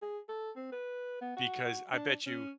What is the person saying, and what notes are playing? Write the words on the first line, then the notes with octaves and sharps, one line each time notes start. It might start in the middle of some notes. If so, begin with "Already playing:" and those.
Because, I bet you,
G#4
A4
C4
B4
B3
F#4
D4
C#4